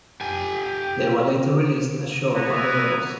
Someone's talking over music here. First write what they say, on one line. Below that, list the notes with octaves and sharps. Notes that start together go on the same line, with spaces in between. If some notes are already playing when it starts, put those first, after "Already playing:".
They were later released ashore by the rebels.
G4 G#5
B3 E4 F#4 G#5 A#5